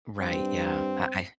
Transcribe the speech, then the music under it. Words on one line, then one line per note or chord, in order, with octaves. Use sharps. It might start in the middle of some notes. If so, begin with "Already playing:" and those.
Right, yeah, I I
G2 C4